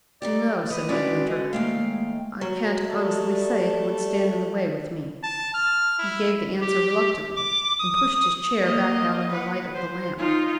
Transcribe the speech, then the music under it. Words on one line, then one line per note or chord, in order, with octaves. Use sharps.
"No," said Midwinter; "I can't honestly say it would stand in the way with me." He gave the answer reluctantly, and pushed his chair back out of the light of the lamp.
G3 D#4 G4 D5
B4 D#5
G#3 C#4 F#4 A4 B4 D5
D3 D#5
D#2 G#3 A3 F5 G5
F#3
G3 A3 A5
A5
F6
E4
G4
D6
D#6
A#3 D#5
B4 F#5
C5
D#4 F4